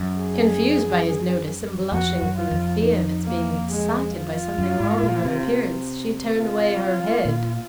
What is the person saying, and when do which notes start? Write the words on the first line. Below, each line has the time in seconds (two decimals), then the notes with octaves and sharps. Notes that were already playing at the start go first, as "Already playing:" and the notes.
Confused by his notice, and blushing from the fear of its being excited by something wrong in her appearance, she turned away her head.
Already playing: F#2
0.15 G#4
1.92 F2 F#4
2.22 F#2
2.36 F4
2.52 F2
2.81 D#4
3.25 A#3
3.70 G#3
4.15 F4
4.58 F#2
4.80 G#2
5.03 A#2
5.25 C3
6.36 F4
7.25 A#2